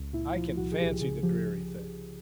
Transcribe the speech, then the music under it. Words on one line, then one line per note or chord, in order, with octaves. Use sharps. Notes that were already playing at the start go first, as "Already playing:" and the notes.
"I can fancy the dreary thing!"
Already playing: C#2
A#2 E4
F3 F4
C2 F#4
G#4
C2 G4
C#3 G#4
F3 G4